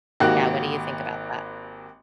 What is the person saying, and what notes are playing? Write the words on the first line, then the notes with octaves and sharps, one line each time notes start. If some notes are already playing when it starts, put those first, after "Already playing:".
Yeah, what do you think about that?
G#1 A#3 F#4 G4 F#6